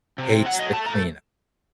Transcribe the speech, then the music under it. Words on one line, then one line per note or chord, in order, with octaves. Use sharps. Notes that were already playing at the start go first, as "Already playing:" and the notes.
hates the cleanup.
C3
F#3 F#5
D#5
A3 A5
A#5